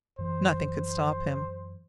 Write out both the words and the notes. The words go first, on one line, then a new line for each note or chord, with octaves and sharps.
Nothing could stop him.
F#2 E3 C5